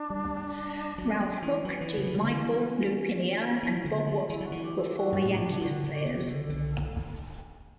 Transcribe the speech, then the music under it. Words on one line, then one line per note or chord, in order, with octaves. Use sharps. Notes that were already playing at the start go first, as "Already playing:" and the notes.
Ralph Houk, Gene Michael, Lou Piniella, and Bob Watson were former Yankees players.
Already playing: D4
G3
F#3 D4
F#3 C#4
E3 C#4
C#4
F#3 B3
E3
C#3
E3
D3
F#3
E3 D4
C#4
B3
C#4
C#4
E3
D3
F#3
E3 E4
F#3 F#4
E3
G4
A4
F#4
G2
A2 D4
B2
C#3
D3 F#4
D3
G4
C#3
D3 A4
D3